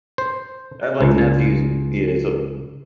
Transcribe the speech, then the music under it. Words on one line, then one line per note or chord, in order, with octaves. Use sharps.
I have, like, nephews. Yeah, so
C5
C#2